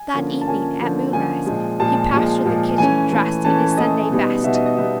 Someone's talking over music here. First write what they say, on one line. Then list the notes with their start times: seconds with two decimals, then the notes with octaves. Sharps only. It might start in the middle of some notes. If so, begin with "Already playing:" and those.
That evening at moonrise he passed through the kitchen dressed in his Sunday best.
Already playing: G#5
0.14 D3 F3 A#3 C#4
0.41 A5
0.47 D3 F3 A#3 C#4 G#5
0.81 D3 F3 A#3 C#4
1.13 D3 F3 A#3 C#4 G#5
1.46 A#2 F3 G#3
1.79 A#2 F3 G#3 A5
2.12 A#2 F3 G#3
2.46 A#2 F3 G#3
2.78 E3 A3 C#4 G#5
3.12 E3 A3 C#4
3.44 E3 A3 C#4 A5
3.77 E3 A3 C#4 D#5
4.11 B2 G3 B3 D#4
4.43 B2 G3 B3 D#4 E5
4.55 D#5
4.66 D#5
4.77 B2 G3 B3 D#4 E5